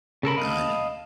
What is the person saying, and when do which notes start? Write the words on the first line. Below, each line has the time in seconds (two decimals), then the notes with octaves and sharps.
I j
0.23 C#3 A4 A#4 B5
0.37 D#5 F5 A5 B5